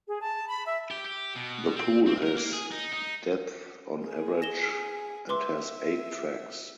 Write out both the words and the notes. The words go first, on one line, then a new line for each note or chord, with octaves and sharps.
The pool has depth on average and has eight tracks.
G#4
A5
B5
E5
G4
G4
B2
C4
C4
A#4
A#3
G#4
D#4
D#4
G#4
A#6 E7 G7
B4 E5 C6 D6